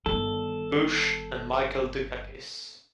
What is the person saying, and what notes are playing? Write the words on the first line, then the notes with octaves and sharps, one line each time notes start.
Bush and Michael Dukakis.
G1 D#3 A4